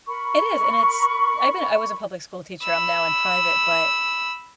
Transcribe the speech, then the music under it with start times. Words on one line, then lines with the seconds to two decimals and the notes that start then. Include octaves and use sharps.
It is, and it's I've been I was a public school teacher, I'm now in private, but
0.07 A#4 B5 C#6
2.63 B5 E6